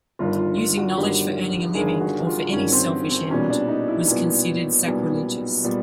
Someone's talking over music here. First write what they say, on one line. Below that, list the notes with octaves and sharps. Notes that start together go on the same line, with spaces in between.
Using knowledge for earning a living or for any selfish end was considered sacrilegious.
G1 G2 D#3 F4
F4
F4
F#4
G1 G2 D#3 G4
G1 G2 D#3 G#4
F#4
F4
G1 G2 D#3 C#4
C4
C4
B1 A#2 G3 B3 C#4
D4
D#4
E4
B1 A#2 G3 B3 E4
B1 A#2 G3 B3
A#2 G3 B3